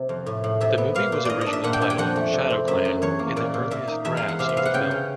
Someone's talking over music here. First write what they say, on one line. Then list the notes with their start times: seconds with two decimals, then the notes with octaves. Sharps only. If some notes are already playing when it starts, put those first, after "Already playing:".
The movie was originally titled "Shadow Clan" in the earliest drafts of the film.
Already playing: C3
0.09 F2
0.26 A2
0.44 A2
0.61 C3 E5
0.78 B3
0.95 A#2 F5
1.12 A#2
1.25 G#2 D5 D#5
1.41 D#5
1.46 D4
1.53 E5
1.64 A#2 F#5
1.73 G5
1.81 D4 G#5
1.90 G5
1.98 F2 F#5
2.16 A3
2.33 C3
2.50 C4
2.68 F#2 E5
2.85 F#2
3.02 E2 C#5
3.19 A#3
3.36 A#2 D5
3.54 A#2
3.71 A#2 E5
3.88 D#4
4.05 E2 E5
4.17 F5
4.22 G#3
4.28 F#5
4.39 C3 F5
4.49 E5
4.57 B3 F5
4.65 F#5
4.74 C#3 G5
4.91 C#3